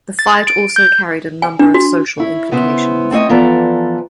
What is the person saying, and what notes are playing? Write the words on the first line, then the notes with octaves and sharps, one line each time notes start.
The fight also carried a number of social implications.
A6
D7
G6
G#5
D4
F#4
E4 C#5
C#3 B3 E4 C5
A3 C4 C#5 D#5
E3 F3 B3 A4 D5 A#5